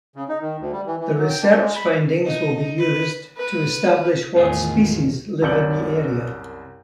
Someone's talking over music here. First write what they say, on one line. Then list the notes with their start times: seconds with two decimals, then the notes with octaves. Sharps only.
The research findings will be used to establish what species live in the area.
0.16 C#3
0.29 D#4
0.41 D#3
0.60 D2
0.72 G3
0.86 E3
1.01 E3
1.18 F#3
1.29 G5
1.42 D4
1.60 G#3
1.76 B5
2.25 D#4
2.79 B4
3.37 B4
4.35 E2 A2 D#3 F4 G#4
5.42 C2 F#2 D5 G6 C#7 F#7